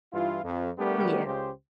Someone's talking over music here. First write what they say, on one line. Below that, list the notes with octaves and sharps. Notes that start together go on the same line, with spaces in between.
Mm, yeah.
G2 E3 E4 F4
F2
G3 A3 B3 D4 G4 A#4
C#2 C#3 G4 C5